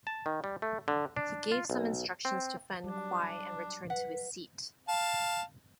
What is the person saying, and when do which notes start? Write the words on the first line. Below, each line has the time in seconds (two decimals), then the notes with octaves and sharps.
He gave some instructions to Fan Kuai and returned to his seat.
0.07 A5
0.26 D#3
0.44 G3
0.62 A3
0.88 D3
1.16 D4
1.52 F4
1.70 B1
2.25 C4
2.84 F#3 G3 D4
3.90 B4 F#5
4.89 F5 A5